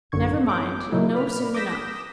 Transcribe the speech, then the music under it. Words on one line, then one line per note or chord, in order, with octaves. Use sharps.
'Never mind; you'll know soon enough.
A1 F#2 D3 C#6 G#6
C#5 D6 G6
A#2 C#3 F#3 D#4 E4
B4 D5 B5 F6
D6 D#6 G6 A#6 B6 E7